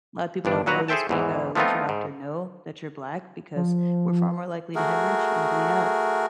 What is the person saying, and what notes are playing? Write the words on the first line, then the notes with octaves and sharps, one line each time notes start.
a lot of people don't know this, but you gotta let your doctor know that you're Black, because we're far more likely to hemorrhage and bleed out.
G1 G2 D4
A#2 F#3 F#4 B4 A#5
G#4 A4 C5 E5 G5 A5
E2 G#2 E3
F3 A3 B3 C4 D#4 F4
G#2
F3
A3 F#4 G#4 A#4